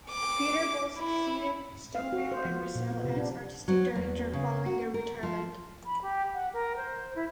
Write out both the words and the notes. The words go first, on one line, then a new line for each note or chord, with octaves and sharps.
Peter Boal succeeded Stowell and Russell as Artistic Director following their retirement.
D6
E4
F5
F#4
C5
F3
A#2
B3
C3
D4
F#3
E2
C#3
F#4
A#4
F3
B5
G4
F#5
A#4
C5
E4